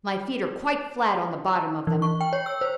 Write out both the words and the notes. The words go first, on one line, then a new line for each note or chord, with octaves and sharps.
My feet are quite flat on the bottom of them.
E3
C#6
G5
C#5
E6
C5